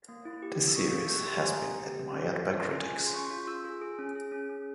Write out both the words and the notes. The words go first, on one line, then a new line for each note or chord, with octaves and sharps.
The series has been admired by critics.
A#3
E4
G4
A#3
E6
A#3 C#6
C#6
G4 E6
A#3 C#6
G4 C6
G#5
A#3 A#5
G4
G4
G4
C#4
F4
F4
C#4
F4 G#5
G#4
C6
C#4 C#6
F4
F4 E6
G#4
G#4
C#4
G#4
C#4
C#4